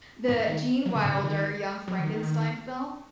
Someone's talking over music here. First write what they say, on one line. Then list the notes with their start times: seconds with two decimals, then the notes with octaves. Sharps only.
the Gene Wilder Young Frankenstein film,
0.28 G#2
0.47 D#3
0.86 F#3
0.95 C#3
1.04 G#2
1.13 C#3
1.24 D#3
1.88 F#3
1.99 D#3